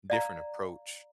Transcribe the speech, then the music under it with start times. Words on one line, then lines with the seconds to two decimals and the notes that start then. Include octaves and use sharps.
different approach
0.10 D5 F5 A#5